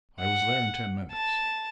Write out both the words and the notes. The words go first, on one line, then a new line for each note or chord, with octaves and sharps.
I was there in ten minutes.
F#5
A5